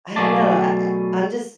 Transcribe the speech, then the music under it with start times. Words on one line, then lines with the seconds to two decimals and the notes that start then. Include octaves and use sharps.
I don't know, I I I'm just
0.16 B2 F#3 A3 G#4 D5 A5